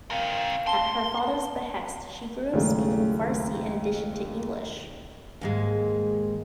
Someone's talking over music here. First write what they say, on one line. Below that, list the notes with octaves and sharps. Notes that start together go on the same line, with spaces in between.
At her father's behest, she grew up speaking Farsi, in addition to English.
C4 A#4 F5
A5 C6 G7
D#2 A2 C#3 F#3 G#3 A3
D#2 G#2 G#3